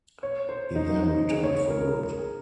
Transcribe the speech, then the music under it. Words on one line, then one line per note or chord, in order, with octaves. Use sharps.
He then retired for good.
C#5
C5
D#4
D#4
G#4
C#5
C#5
A#4
G#4
A#4
G#4